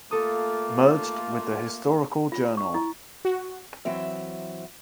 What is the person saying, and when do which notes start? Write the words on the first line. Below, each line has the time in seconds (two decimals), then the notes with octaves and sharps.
Merged with the "Historical Journal".
0.11 A3 A#3 F4 A4 D#6
2.32 F4
2.57 C#6
2.74 E4
3.25 F#4
3.85 E3 F#3 C4 E5